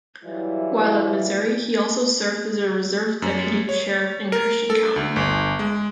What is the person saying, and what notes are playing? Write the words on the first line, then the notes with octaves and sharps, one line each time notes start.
While at Missouri, he also served as a reserve deputy sheriff in Christian County.
E3 F#3 G3 E4 F4
F#2
C#5
A#4
A4
D2
G1
G#3